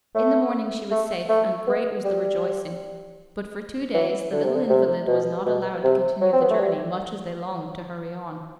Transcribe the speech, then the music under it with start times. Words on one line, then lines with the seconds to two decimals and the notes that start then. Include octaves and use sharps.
In the morning she was safe, and great was the rejoicing; but for two days the little invalid was not allowed to continue the journey, much as they longed to hurry on.
0.15 A3
0.91 A3
1.29 A3
1.67 B3
2.04 G3
3.94 E3
4.32 D3
4.43 C3
4.54 D3
4.70 C3
5.07 B2
5.46 B2
5.84 C3
6.21 F#3
6.33 C4
6.42 B3
6.50 A3
6.59 G3